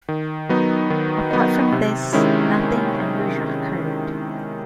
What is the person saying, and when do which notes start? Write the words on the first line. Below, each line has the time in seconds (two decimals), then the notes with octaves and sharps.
Apart from this, nothing unusual occurred.
0.08 D#3
0.49 F#3 B3 D#4
0.90 D#3
1.31 F#3 B3 D#4
1.72 C3
2.13 D#3 G#3 C#4 E4